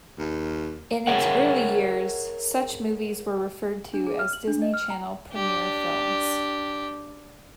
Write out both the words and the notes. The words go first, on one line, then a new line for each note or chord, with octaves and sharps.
In its early years, such movies were referred to as Disney Channel Premiere Films.
D#2
G#4 A#4 C#5 E5 F#5
D4
G#4
F6
F#7
D4
D#5
F6
A#5
D4 G4